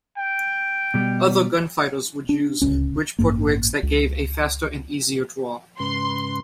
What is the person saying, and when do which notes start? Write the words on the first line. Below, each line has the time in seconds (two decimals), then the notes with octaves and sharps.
Other gunfighters would use Bridgeport rigs that gave a faster and easier draw.
0.17 G5
0.94 B2 G3
2.29 D4
2.62 D1 G#1 C#2 C#4
3.19 A1 G2 A#3
3.83 C#2
5.80 G#2 C#3 B4 C6